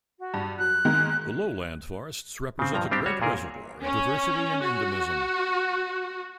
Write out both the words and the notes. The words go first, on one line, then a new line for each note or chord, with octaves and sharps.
The lowland forests represent a great reservoir of diversity and endemism.
F#4
G2
F#3 F#6
D#3 G#3 A#3
C#3 C4
G2 F3 A#5
G3 C4 D4 G4
G3 F#4 C#5
A#2 G#4 A#4
C#4
F#4